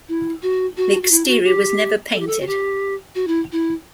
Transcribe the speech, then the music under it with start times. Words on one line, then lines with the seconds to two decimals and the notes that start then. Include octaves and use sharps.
The exterior was never painted.
0.09 E4
0.43 F#4
0.77 F#4
1.03 F#4
1.11 E4
1.27 F#4
1.44 G4
2.13 A4
2.20 G4
2.27 A4
2.41 F#4
2.47 G4
3.15 F#4
3.27 E4
3.52 E4